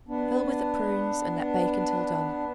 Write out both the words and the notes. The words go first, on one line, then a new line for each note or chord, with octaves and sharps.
Fill with the prunes and let bake until done.
B3 D4